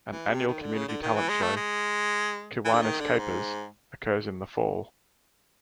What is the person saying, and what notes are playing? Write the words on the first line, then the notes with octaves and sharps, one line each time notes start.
An annual community talent show, Kiwanis Kapers, occurs in the fall.
E3
C3
D#3
D3
C#3
D3
D#3
E3
G#3
A3
G#3
E3
D3
D#3
D3
G#2